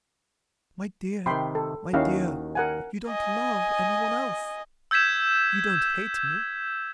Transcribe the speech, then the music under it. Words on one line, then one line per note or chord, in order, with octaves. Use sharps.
My dear, my dear, you don't love anyone else; you don't hate me.
C3 D#3 G5 B5 C6
A4
D#2 D#3 C#4 E4 F#4 F5
A#4 F#5 G#5
D#5 G#5
E6 G6 G#6 B6 E7